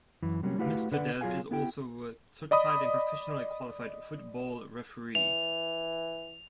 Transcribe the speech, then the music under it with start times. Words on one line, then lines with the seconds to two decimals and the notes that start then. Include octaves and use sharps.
Mr. Dev is also a certified and professionally qualified Football Referee.
0.22 F#2 E3
0.43 C3 F#3 G3 A#3 C4 C#4
0.58 A3 E4 F#4 G4 B4 F5
0.92 D3 B4 D5 F#5
1.21 F#3 F4 G#4 F5 G#5
1.51 B3 E4 G4 G5
2.51 D5 D#5 B5 D#6
5.15 E3 F7